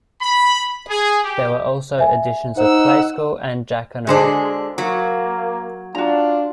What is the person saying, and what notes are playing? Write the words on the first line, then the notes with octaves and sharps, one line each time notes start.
There were also editions of "Play School" and "Jackanory".
B5
G#4
G4
E5 G#5
D#4 C5 F#5 E6
D3 G#3 D4 F#4 G#4 C5
F#3 A#3
D4 F4 F#4 A#5